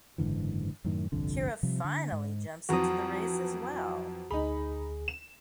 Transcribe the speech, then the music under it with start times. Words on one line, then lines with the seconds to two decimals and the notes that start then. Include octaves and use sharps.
Keira finally jumps into the race as well.
0.18 F#1 G#2 D3 E3
0.84 F#2 A2 D#3
1.12 G1 C2 F2 D3
1.63 C3 F3 G3
1.84 D3
2.12 G#2
2.69 F2 E3 F#3 F#4 A#5 D#6
4.31 D2 D#4 G#4 B5
5.08 E7